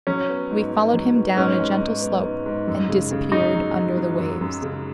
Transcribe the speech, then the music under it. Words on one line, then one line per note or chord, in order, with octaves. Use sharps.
We followed him down a gentle slope and disappeared under the waves.
F#3 C#4
B3
G#2
G#2
F#3
B3
G#2 C#4
G#2
G#2
B3
G#2
G#2
F#2
C#3
C#3
C#3 D#4
F#3
F#3
F#3
F#2
F#2
C#3